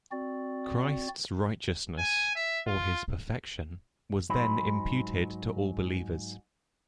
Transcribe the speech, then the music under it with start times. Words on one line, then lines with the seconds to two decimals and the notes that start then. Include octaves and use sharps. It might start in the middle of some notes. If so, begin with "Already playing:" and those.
Christ's righteousness, or his perfection, was then imputed to all believers.
0.12 C4 F#4 D5
1.98 G#5
2.36 E5
2.67 F4
4.30 G#2 F#3 D#4 C5 B5